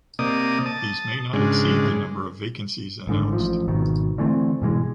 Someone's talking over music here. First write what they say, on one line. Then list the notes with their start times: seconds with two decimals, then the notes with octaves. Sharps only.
These may not exceed the number of vacancies announced.
0.19 C3 A#3 D5 D#5 D#6
0.66 A5 D#6
1.33 G#2 C#3 G#3 D4
3.07 G#1 G#2 D3
3.33 A1 F3
3.68 G#1 B2 D#3
4.18 D3 E3 A3 C4
4.62 G2 B2 E3 G#3